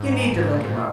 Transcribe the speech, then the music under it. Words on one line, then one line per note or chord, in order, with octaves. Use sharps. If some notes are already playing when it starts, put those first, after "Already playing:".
You need to look him up.
Already playing: G#2
G#2
A#2
G#2
A#2